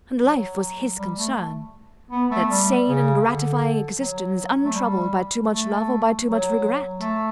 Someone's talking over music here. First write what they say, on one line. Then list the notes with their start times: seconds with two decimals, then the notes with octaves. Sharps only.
And life was his concern: that sane and gratifying existence untroubled by too much love or by too much regret.
0.23 F#3
0.98 G3
1.17 A3
2.11 B3
2.31 A3
2.49 G3
2.87 C#3
3.24 D3
4.00 F#3
4.64 A3
4.74 G3
5.49 A3
6.25 F#3
7.00 A3